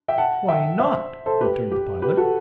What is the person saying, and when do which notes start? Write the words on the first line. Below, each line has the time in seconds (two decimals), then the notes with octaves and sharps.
"Why not?" returned the pilot.
0.08 E5 G5
0.18 F#5 A5
0.48 E5 G5
0.79 C5 E5
1.26 A4 C5
1.41 G4 B4
1.72 G4
2.02 G4 B4
2.17 F#4 A4